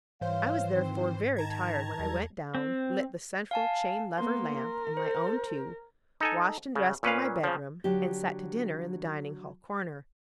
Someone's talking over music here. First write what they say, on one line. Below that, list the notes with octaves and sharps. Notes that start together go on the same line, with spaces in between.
I was therefore very tired when I went down, lit the central chain-lever lamp and my own two, washed and dressed in my bedroom, and sat to dinner in the dining-hall corner.
G#2 E3 G3 C5 C#5 F5
D#3 F3 C4
D#3 A5 A#5 G#6
E2 F#3 G3 A4
C4
F5 G#5 A5
A#3 B3 C6
A#4
C5
D#4 A4 G#5
C#3
A#2 C#4 B4 F5
C#3 F3
D3 F#3 D4 G4